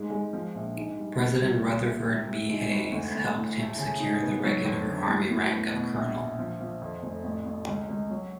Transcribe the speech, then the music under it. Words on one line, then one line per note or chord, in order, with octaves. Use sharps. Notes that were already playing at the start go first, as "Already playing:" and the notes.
President Rutherford B. Hayes helped him secure the regular army rank of colonel.
Already playing: G#2 G#3
G#3
F3
A#1
G#2
G3
B3
C2
A#2
E4
C3
C3
G#2
G#1
D2
D2
A2
A3
C#3
D#4
B3
F#3
F2
D3
A2
A2
B3
B2
A#1
A#1
F3
F3
F2
F1
A1
A1
C#2
C#2
F#3